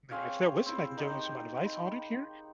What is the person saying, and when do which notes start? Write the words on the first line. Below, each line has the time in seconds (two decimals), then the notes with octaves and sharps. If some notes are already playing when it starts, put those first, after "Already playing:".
mean, if they'll listen, I can give them some advice on it here.
0.11 C4 G#4 C#5 F5
0.66 C4 E4
0.97 D#3 D#4 G4
1.65 B5